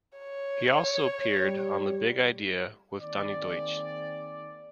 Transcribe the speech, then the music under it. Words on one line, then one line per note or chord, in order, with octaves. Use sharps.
He also appeared on "The Big Idea with Donny Deutsch".
C#5
G3
D#3 A#3 C4 G#4 D5